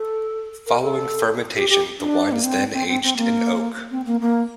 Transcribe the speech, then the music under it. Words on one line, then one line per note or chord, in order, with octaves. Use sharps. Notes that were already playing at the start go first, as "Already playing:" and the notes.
Following fermentation the wine is then aged in oak.
Already playing: A4
A#4
A4
G4
G4
D4
A#3
C4
C4
C4
C4
A#3
C4
A#3
A#3